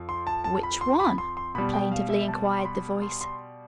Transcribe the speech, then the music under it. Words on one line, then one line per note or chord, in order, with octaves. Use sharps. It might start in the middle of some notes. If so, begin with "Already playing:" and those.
"Which one?" plaintively inquired the voice.
Already playing: F2 F3
C6
A5
A5
B5
C6
B5
C6
C6
B2 G3 B5
G5
F5
E5
A5
C6
B5
C6
C6